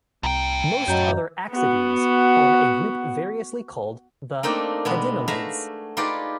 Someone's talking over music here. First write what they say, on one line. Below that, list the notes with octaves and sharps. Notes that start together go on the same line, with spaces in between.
Most other axodines form a group variously called the pedinellids.
C2 A2 G5 A#5
F#2 F#3 D#5 A#5 G6
B3 F#4
A3 A#3 C4 D4 D#4 G5
B2 G#3 B3
A3 F#4 G#4 E5 F5 A#5
D#4 F4 G4 G#4 B4 D5